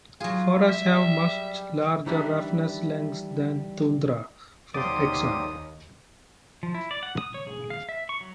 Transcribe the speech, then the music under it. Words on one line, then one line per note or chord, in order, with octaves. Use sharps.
Forests have much larger roughness lengths than tundra, for example.
F#3 F4 G#4
E5
G3
D#3 E3 G3 D4 E4
D#2 F#3 A#3 G4 C5 D5 D#6
F3
E4
D5
F#5
D#6
C#5
G#4
F5
E5
C#6
F#3